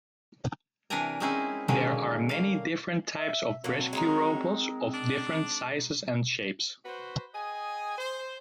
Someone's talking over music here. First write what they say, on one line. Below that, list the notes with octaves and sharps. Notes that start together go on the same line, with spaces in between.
There are many different types of rescue robots of different sizes and shapes.
C3 E3 D4 A#4 G#5 A#5
G#3 C4 C#4 D#4 E4 G#4
D3 D#3 F#3 G#3 A#3 C#4
A#3 F5
E5
D3 F#3 A#3 C4
G#3 D#4 A#4
D4
F#4 B4 C5
G#4 D#5 G5 G#5
C5